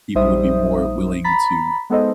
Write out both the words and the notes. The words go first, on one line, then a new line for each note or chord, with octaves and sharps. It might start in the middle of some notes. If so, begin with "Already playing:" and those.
people would be more willing to,
A#1 G3 D#4 C5 E5 D#6
A#5 B5 A6 B6
G#3 B3 D#4 A4 C5 D#5